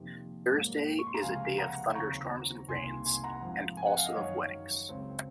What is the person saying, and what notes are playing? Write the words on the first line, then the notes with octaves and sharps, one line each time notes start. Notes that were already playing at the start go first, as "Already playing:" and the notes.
Thursday is a day of thunder-storms and rains, and also of weddings.
Already playing: F2 C3 D#3 A#3
G#2 F#3 A#3
C#6
C6
A#5
C#2 C3 F3 G#3 C4 F5 G#5
F#5 A#5
D#2 C#3 F#3 C4 A#5 C#6
C2 C3 D#3 A#3 G#5 C6
G#5 C6
F#5 A#5
G#2 F3 C4
G#5
F#5
F5
D#5
F#2 D#3 F#3 C#5
C#2 C#3 F#3 C4